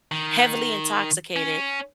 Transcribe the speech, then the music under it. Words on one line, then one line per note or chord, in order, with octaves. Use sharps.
heavily intoxicated,
D#3
C#4